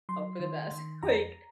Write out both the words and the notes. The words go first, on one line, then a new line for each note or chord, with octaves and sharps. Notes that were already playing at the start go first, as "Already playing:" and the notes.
hope for the best. Like,
F#3 C6
D#3
D#3
F2 A#5